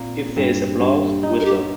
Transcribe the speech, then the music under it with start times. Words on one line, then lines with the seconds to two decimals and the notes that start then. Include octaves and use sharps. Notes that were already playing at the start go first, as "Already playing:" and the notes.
If there is applause, whistle.
Already playing: A#2 A#3 C4
0.36 G2
0.80 G2
1.23 D#4
1.40 A#4
1.45 G4